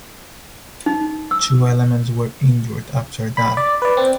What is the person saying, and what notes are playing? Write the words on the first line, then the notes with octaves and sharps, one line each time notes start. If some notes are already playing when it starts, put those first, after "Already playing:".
Two elements were injured after that.
D#4
E6
B5
D5
B4 D5
C4